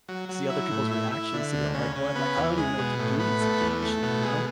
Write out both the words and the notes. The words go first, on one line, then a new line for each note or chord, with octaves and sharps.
see other people's reactions to be all like, "What?" like, I don't even know what to do in this situation, you know?
F#3
F#3
E4
A2
E4
E4
D3
D2
C#3
C#3
B3
E2
G#3
B2
A2
B3
A3
E2
A3
B2
G#3